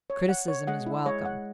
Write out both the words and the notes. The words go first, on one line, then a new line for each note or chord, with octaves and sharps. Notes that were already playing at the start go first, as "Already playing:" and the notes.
Criticism is welcome.
C#5
F#5
C#5
G#3 F#5
E4
G#3 C#5
F#5